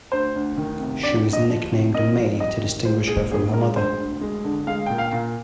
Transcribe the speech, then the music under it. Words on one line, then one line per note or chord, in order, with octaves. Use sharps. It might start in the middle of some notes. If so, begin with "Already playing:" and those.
She was nicknamed 'May' to distinguish her from her mother.
D2 C5
D2
D#3
C3
D2 D5
D2
D#5
F3
C3
A#3 D#5
F2
G3 D#5
D#3
G#3 C5
A#2 G#4
A#2 G#4
G#3 A#4
D2 C5
D2
G#3
D3
G#3 F5
A#2 G5
F5
A#2